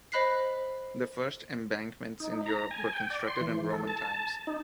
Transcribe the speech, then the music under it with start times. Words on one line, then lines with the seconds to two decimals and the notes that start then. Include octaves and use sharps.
The first embankments in Europe were constructed in Roman times.
0.12 C5 D#5 B5 F#6 B6 C7
2.20 D#4
2.46 A#5
2.71 G#5
2.93 G5
3.10 D5
3.27 C6
3.41 E3
3.71 A4
3.88 A5
4.47 D#4